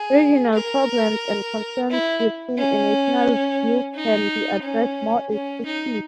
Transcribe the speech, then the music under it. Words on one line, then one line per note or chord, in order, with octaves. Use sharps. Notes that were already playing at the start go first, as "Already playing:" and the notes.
Regional problems and concerns within a national view can be addressed more effectively.
Already playing: G#4
A#4
E4
C#4
D#4
C#4
C#4
D#4